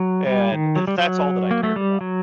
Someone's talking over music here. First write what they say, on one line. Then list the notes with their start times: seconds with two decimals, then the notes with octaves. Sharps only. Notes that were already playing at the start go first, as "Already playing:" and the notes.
And that's all that I cared about.
Already playing: F#3
0.27 G3
0.52 D#3
0.76 F#3
0.87 G3
0.98 F#3
1.51 A#3
1.63 A3
1.76 G3
2.01 F#3